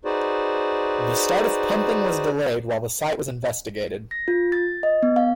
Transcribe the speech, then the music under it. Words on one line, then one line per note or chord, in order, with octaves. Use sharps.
The start of pumping was delayed while the site was investigated.
D#4 F#4 G#4 B4 C5 D5
A#6
F4
A6
D#5
B3
F5